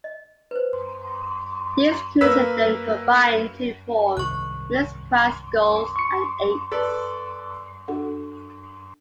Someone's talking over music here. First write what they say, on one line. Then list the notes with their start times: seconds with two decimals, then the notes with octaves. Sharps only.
These crews then combined to form Mixed Quad Sculls and Eights.
0.04 D#5
0.51 B4 C5
2.21 A#3 B4 E6 B6
4.17 C2 G#2 D#3 C#6 F#6
5.96 C#6 C#7
6.72 A4 B4 D5
7.88 D4 F#4 A4 F#5